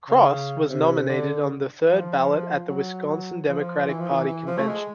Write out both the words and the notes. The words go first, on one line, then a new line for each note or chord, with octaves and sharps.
Cross was nominated on the third ballot at the Wisconsin Democratic Party Convention.
C#3
C3
D3
F3
F#3
F3
E3
F3
E3
E3
F3
A3
G#3